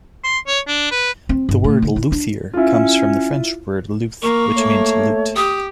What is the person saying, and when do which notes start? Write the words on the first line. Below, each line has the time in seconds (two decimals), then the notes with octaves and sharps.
The word "luthier" comes from the French word "luth", which means lute.
0.24 C6
0.47 C#5
0.68 D4
0.91 B4
1.29 C4
1.49 G1
1.64 A2
1.82 D3
1.96 E4
2.12 D4
2.54 C#4 E4 F4
4.22 A#3 A#4 C#6
4.56 A3 C#5
5.36 G4 D#6